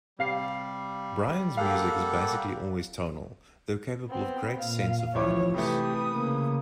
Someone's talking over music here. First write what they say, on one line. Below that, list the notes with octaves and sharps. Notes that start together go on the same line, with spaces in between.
Brian's music is basically always tonal though capable of a great sense of violence.
C3 G3 F5 C7
A#3 G4 A4 F5 F#5
B3 C4
A#2 F5
A1 F3 E4 C#5 D6
C3 E3 A3 G4 B4 D#6
C#3 A#3